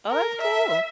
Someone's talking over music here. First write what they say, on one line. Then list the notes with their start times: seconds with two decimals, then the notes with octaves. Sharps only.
Oh, that's cool.
0.10 A#4
0.41 E5